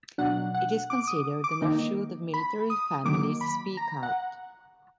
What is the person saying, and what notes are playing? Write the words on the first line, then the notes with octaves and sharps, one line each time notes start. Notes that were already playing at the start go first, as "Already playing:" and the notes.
It is considered an offshoot of Military Families Speak Out.
B2 F#3 D4 F#5
F#5
D6
D#6
D6
D#3 A#3 D#4
B5
D#6
D#3 F#3 A#3 D6
B5
A#5
F#5